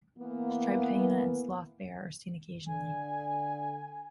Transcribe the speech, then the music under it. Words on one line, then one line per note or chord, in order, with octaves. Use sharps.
Striped hyena and sloth bear are seen occasionally.
E3 A#3 B3
D3 G#5